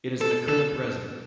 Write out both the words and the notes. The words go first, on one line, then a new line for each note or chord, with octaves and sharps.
It is an acrylic resin.
A4
A4